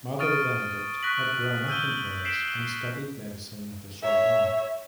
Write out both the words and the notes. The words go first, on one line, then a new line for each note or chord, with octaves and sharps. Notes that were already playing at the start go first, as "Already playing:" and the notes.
Mother Benedict had grown up in Paris and studied medicine at the Sorbonne.
C#6 D#6 F6 A6 D7 D#7
C#6 F#6 A#6 B6 F#7
E6 G6 D#7 G7
B6 C7 D7 E7
C7
C#5 E5